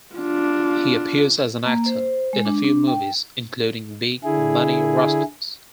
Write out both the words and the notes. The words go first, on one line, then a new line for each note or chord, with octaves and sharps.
He appears as an actor in a few movies, including "Big Money Rustlas".
D4 F4
A#3
C5
G#3
D4
D4
G5
D3 E4 G#4